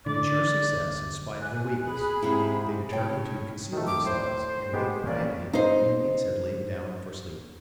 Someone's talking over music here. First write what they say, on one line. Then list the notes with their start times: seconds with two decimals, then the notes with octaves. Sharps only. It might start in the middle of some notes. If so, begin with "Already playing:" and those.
To insure success in spite of their weakness, they determined to conceal themselves and wait quietly until the Indians had lain down for sleep.
0.06 D3 D5
1.40 G#5 F#6
1.84 G#4 B5
2.22 G#2 C3 E4
2.91 A2 C#5 G5
3.73 D#3 A3
3.87 D6
4.05 A2 C5
4.73 G#3 B3 G4
5.06 A#3 C#4 D5
5.53 D#4 C5